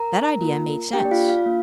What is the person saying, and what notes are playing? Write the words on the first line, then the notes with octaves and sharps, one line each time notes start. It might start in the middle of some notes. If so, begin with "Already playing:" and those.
That idea made sense.
Already playing: A#4 A#5
A#3 F4
A#3 D4 G4 G5
D5
F4 F5
F4 F5
A#3 D4